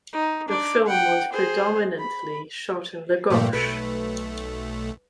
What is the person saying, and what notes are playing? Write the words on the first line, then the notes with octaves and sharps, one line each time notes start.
The film was predominantly shot in Lagos.
D#4
D4 D5
F#5 G5
G#4 C5
B5
G2 A#2 F3 A3 A#3
B1 A3 B4